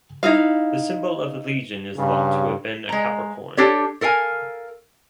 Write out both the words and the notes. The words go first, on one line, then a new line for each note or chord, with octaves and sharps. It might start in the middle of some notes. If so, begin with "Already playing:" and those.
The symbol of the legion is thought to have been a capricorn.
D#4 E4 G#4 F5
G2 C#3
G#3 A#5
D4 G4 A4 C#5
A4 A#4 F5 G#5